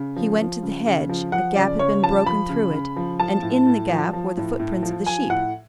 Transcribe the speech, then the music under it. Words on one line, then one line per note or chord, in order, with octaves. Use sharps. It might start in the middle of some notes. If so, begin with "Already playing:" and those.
He went to the hedge; a gap had been broken through it, and in the gap were the footprints of the sheep.
Already playing: C#3
F3
F3
C#3
C#3
F3
F3 F#5
C#3 D5
C#3 C#5
F3 A5
F3 B5
C#3
C#3
F3
F3 A5
A2
A2
F3
F3
A2
A2
F3
F3 G#5
A2 F#5